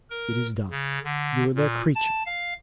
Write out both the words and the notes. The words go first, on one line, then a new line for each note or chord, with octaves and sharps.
It is done--you are their creature.
A#4
C#3
D3
A#2
A5
F5